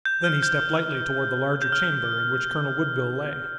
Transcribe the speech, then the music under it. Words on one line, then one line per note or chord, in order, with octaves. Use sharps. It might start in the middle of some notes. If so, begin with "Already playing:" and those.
Then he stepped lightly toward the larger chamber in which Colonel Woodville lay.
G6
F6
G6
G6
F6